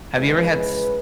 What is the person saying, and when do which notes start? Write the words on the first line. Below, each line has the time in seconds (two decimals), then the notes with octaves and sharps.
Have you ever had s
0.15 C#3 E3 G#3 B4